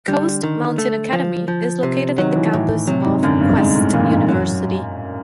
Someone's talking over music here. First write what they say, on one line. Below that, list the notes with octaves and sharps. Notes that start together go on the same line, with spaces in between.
Coast Mountain Academy is located in the campus of Quest University.
D3 G3
D#3
A3
F3
F3
C3
D#3 F#3
E3
A2 E3
C3 F#3
G#2
F#2 D3
G2
G#2 G#3
A2
A#2 E3
G2
G#2
F#2 F#3